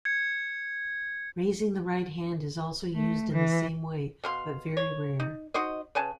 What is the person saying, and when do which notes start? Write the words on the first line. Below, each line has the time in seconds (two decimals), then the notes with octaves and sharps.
Raising the right hand is also used in the same way but very rare.
0.05 G#6 C#7
2.94 A3
3.32 E3
4.24 B2 F5 C6
4.77 C#5
5.20 D#4
5.54 D#4 F#4 C5 D#5
5.95 C#3 B4 G#5 A5